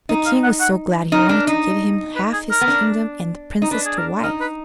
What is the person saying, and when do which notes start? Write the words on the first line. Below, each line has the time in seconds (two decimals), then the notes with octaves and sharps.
The King was so glad he wanted to give him half his kingdom and the princess to wife.
0.09 D#4
0.26 F5
0.43 F#5
0.60 F#5
1.12 D#4 A#4
1.29 D4
1.47 D#4
2.16 B4
2.33 G#4
2.51 A#4
2.61 B3
2.68 D4
3.62 D#4
3.71 D4 B4
3.86 G#4
3.97 A#4
4.23 D#4 A#4
4.41 B4